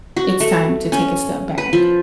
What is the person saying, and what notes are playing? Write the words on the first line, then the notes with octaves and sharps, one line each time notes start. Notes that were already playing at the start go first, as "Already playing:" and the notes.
it's time to take a step back?
F#4
A3
C#4
B4
F3